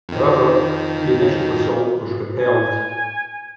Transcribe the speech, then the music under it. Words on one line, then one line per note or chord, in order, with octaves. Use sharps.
However, the initial assault was repelled.
F2 D#3
G#5